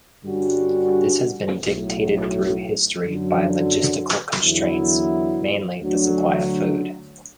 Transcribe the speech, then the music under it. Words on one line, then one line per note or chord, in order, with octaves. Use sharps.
This has been dictated through history by logistical constraints, mainly the supply of food.
G2 D3 G3 C#4 F#4
B1 A2 F#3 A3
F#2 D3 F#3
E2 D3 F#3 B3 E4
D2 D3 F#3